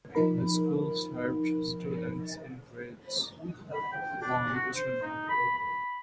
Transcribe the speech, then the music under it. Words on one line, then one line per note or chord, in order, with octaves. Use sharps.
The school served students in grades one through nine.
F3 D#4 A#4 B5
B5
G5
D4
F#4
C5
D#4
B5
B5